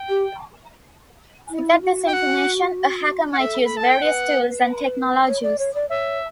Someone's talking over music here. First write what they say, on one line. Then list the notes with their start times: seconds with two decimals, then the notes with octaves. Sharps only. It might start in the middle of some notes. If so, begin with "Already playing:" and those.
To get this information, a hacker might use various tools and technologies.
Already playing: G5
0.09 G4
1.50 E4
1.82 F#4
2.06 G5
2.13 F#5
3.33 F#5
3.39 A4 E5
3.65 B5
3.77 A5
3.89 G5
4.02 B4 F#5
5.28 C#5
5.42 D5
5.59 C#5
5.75 D5
5.90 C#5 E5